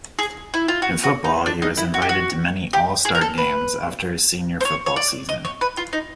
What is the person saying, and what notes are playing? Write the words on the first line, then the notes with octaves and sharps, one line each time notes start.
In football, he was invited to many all-star games after his senior football season.
G#4
E4
F4
F#4
F#4
D#4
D4
D#4
E4
F#4
G4
F#4
G4
G#4
A#4
A4
B4
C5
C#5
C#5
D5
D#5
C#5
B4
F4
D#4